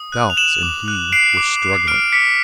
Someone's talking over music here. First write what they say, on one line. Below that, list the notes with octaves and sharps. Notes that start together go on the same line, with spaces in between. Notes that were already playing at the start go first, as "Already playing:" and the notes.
Doubts and he were struggling.
Already playing: D#6
F#6
F7
F#6 E7 F#7
D6
F#6
F#6 C7 D7
D6
F#6
F6 C7 D7
D6 B6 C#7